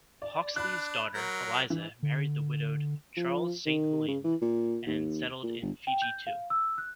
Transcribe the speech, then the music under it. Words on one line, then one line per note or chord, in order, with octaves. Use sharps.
Hawksley's daughter, Eliza, married the widowed Charles Saint Julian and settled in Fiji too.
D5
D4 B5 F#6
F#3 A#4
E3
D3
F3
D#3
C#3
E3
A#2
D#2
A#2
G1
G5
G6
F5
E6
F#6